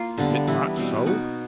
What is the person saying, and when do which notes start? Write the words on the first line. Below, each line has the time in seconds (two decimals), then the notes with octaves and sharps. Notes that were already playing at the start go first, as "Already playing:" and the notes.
Is it not so?'
Already playing: A#3 F4
0.18 D3 G3 B3 D4
0.47 E3 G3 B3 E4
0.77 B2 G3 C4
1.06 B3 D#4 F#4